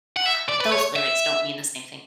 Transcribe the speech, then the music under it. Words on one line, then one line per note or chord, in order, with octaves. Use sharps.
Um, those lyrics don't mean the same thing.
F#5
E5
D5
B4
C#5
E5